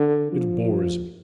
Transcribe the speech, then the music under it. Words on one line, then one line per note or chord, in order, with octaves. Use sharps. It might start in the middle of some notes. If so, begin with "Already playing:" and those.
It bores me.
Already playing: D3
F3